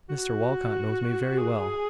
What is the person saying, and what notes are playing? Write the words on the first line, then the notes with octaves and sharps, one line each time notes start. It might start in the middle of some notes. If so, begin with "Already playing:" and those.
Mr Walcot knows me very well.
F#4
G#4